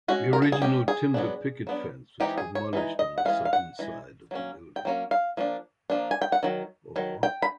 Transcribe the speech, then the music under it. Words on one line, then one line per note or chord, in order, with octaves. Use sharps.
The original timber picket fence was demolished on southern side of building.
G#3 C#4 F#4
A#4
A4
G#4
G#3 C#4 G4
G#4
F#3 B3 D4
F#3 B3 D4
E3 G#3 C4 D#4 G4
G#4
C#5
E3 G#3 D#4
D#5
F#5
E3 G#3 C#4 F5
F5
F#5
E3 G#3
F#3 A#3 C#4
G5
F#3 A#3 C#4
F5
F3 A#3 D4
F3 A#3 D4
G#5
G5
F#5
D#3 F#3
D#3 F#3
G5
B5